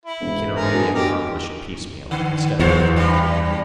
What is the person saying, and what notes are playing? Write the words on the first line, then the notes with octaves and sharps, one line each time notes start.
It can only be accomplished piecemeal, a step at a time.
E4
E1
D3 G#4 A#4
B2
D2 G4 A#4 D#5
D3
E2 F3 F4 C5
F#2 G3